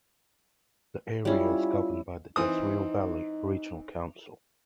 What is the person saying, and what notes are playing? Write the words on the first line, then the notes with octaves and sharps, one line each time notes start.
The area is governed by the Jezreel Valley Regional Council.
G3 C#4 E4 F4
E3 C4 D#4 D#6